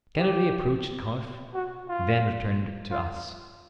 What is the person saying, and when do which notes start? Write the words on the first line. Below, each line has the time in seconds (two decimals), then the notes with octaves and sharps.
Kennedy approached Kauf, then returned to us.
0.17 G4
1.54 F#4
1.88 F4
2.91 F4